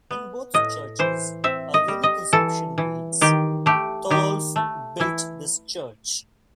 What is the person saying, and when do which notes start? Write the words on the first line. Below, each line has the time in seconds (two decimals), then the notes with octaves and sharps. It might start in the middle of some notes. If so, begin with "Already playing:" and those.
In both churches a runic inscription reads: "Torolf built this church".
0.11 B3
0.54 A2 D#5
0.99 E3 C5
1.44 C4 E5
1.74 D#5
1.88 G3
2.03 D#5
2.33 E3 A4
2.78 E3
3.21 D#3 G4
3.66 A3 G4
4.10 D#3 G4
4.56 A3
5.00 E3 E4